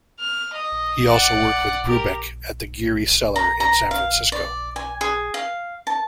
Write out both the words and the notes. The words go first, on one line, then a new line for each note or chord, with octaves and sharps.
He also worked with Brubeck at the Geary Cellar in San Francisco.
F6
D#5
D5 F#5
G4 A#4
A#5
A#5
F5
D5
G#5
G#4
F5
A5